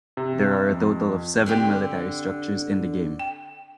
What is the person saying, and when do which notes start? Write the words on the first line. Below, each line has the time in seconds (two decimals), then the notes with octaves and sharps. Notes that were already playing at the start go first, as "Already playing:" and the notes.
There are a total of seven military structures in the game.
0.17 C3
0.69 F2
1.46 D3 C4 G4
3.19 G5